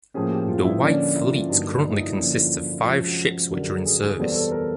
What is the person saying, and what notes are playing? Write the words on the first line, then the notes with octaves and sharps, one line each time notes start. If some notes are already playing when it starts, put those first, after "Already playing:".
The White Fleet currently consists of five ships which are in service.
A2 F3 A#3 C#4 G#4
G4
F4
E4
D3 F3 A#3 C#4 D4
E4
F4
E4
G2 D3 F#3 A#3 D#4
D#4
E4
D#4
D3 F3 A#3 C#4 E4
F4
E4
C3 F3 G#3 C#4 F4
F#4
F#2 D3 F#3 A#4
G#4
A4
G#4
G#4
E2 B2 G3 C4 A4
A4
A#4